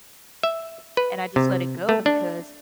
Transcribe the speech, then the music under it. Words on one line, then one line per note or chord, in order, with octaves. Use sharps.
And I just let it go because
E5
B4
C3
A3
D4